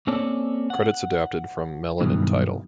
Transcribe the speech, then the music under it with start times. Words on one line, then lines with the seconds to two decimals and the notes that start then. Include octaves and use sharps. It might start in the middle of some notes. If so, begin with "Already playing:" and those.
Credits adapted from Melon and Tidal.
0.07 A#3 C4 C#4 A4 C#5 D5
0.70 F#5
2.00 G2 B2 D#3 E3 F#3